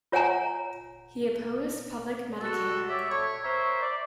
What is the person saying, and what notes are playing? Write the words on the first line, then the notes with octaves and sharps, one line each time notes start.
He opposed public medicare.
F4 C#5 F#5 G#5 A#5
F#4 A4
G4 C#5 D5 E5
B3 A4 C#5
A#4 C5 C#5 E5
D5